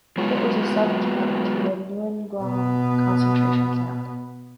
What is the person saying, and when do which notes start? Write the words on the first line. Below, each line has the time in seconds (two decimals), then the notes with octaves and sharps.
It was a subcamp to the Neuengamme concentration camp.
0.18 F#3 G#3 B3 F4 C#5
2.43 B2 B3